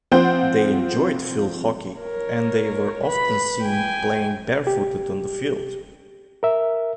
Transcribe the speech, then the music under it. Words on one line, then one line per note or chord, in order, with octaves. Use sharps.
They enjoyed field hockey, and they were often seen playing bare-footed on the field.
F3 C4 C5 F#5 G6
A#4 C#5
B4 B5
G5 G#5
G4
A#4 E5